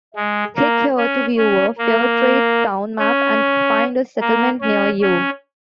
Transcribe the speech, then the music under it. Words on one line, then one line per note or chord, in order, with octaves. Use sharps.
Click here to view a Fairtrade town map and find a settlement near you.
G#3
A#3
C#4
C#4
A#3
C#4
A#3
C#4
C#4